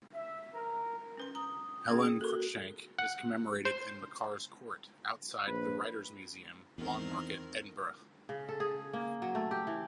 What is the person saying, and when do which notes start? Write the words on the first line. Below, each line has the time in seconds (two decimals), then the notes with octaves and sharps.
Helen Cruickshank is commemorated in Makars' Court, outside The Writers' Museum, Lawnmarket, Edinburgh.
0.14 E5
0.55 A#4
1.17 C#4 B4 C6
1.35 A#5 D#6
1.87 A#3 C#4 G#4
2.21 F#4 A4 A#4
2.99 F#5
3.65 C5
5.47 A#1 B4
6.78 E2 D#3 C4 A#4
8.29 C#3
8.49 A4
8.60 G#4
8.93 A#3
9.22 F#3
9.35 A3
9.51 G4
9.67 E3